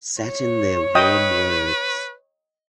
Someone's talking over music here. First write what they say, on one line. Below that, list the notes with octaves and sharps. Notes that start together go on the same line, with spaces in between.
Sat in their warm words.
C#5
B4 D#5 G5 D#6